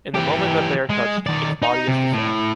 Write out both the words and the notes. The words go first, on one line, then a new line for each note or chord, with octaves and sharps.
In the moment that they are touched, its body is dissolved.
E3 G4
G#3
D#3 D5
D#4
C3
A2